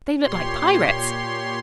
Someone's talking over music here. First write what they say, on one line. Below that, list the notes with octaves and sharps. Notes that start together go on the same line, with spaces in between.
"They look like pirates."
A#2 G4 C#5 C6